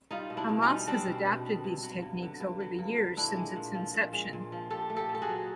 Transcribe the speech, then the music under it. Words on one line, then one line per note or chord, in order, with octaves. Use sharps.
Hamas has adapted these techniques over the years since its inception.
G3 D#4 F4
B2
D4 E4
B2
C#4 D#4
G3
G3 C4 D4
B2
B2
G3
G2
F#3
G2
D3
G2
F#3
G2
D3
A#2 D4 E4
G#3
A#2
F3
A#2
G#3
A#2
F3
A#2 G4 A4
A3
G4 A4
A#2
A4
F#4 G#4
F#3